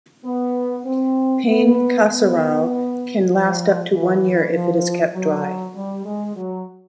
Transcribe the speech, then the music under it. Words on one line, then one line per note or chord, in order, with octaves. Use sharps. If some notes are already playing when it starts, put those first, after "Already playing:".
"Pane carasau" can last up to one year if it is kept dry.
B3
C4
B3
B3
F3
E3
F3
F#3
G3
G#3
F#3